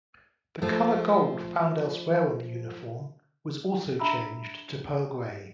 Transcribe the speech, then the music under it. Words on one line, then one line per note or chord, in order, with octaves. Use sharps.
The colour gold found elsewhere on the uniform was also changed to pearl-grey.
F3 A3
D4 F4 E5 A#5 B5 E6